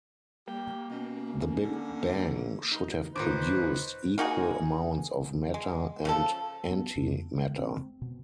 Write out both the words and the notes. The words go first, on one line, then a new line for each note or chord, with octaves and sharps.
The Big Bang should have produced equal amounts of matter and antimatter.
G3 A#3 G4
B2 C#4
D3
D#4
D#2 A#2 D#4 B4 C5 D6
A#3 D#4 F#4 G#4
G#3
C#3 F3 A4
B3
F2
G#3
C4
B2